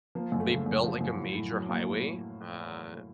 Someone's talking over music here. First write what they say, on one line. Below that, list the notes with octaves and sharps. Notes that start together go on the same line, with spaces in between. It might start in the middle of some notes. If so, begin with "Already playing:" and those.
they built like, a major highway, uh,
F3 A#3
F#2
A3
C#3
F#2
F3
F#2
A2
A2
F#3
F#3 A#3
A2